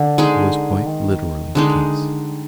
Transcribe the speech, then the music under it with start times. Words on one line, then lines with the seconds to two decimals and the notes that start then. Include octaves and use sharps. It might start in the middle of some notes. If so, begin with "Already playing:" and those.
It was quite literally the case.
Already playing: D3
0.18 G#3 D#4 G#4
0.86 D#3
1.55 D3 G#3 D#4
2.25 G3